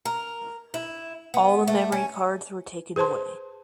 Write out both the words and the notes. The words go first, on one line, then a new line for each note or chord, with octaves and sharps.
All the memory cards were taken away.
A#4
E4
B3
A3
C#4
G#4 B4 C5 A5 C6